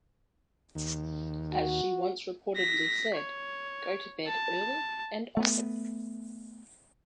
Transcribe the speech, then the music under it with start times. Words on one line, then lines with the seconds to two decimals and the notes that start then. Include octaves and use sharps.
As she once reportedly said, "Go to bed early and often".
0.75 D#2
1.52 F#4
2.56 A#6 B6
3.15 C#5
4.27 A5
5.37 A3 B3